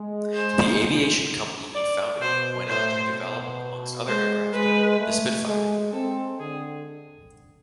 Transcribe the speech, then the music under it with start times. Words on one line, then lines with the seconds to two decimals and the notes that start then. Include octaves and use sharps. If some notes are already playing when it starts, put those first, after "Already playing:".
The aviation company he founded went on to develop, amongst other aircraft, the Spitfire.
Already playing: G#3
0.35 C5
1.74 D5
2.21 B2 C5
2.67 A2 C5
3.13 B2
4.07 G#3 C5
4.53 G#3 B4
4.99 A3
5.46 G#3
5.93 C4 A4
6.39 D3 G#4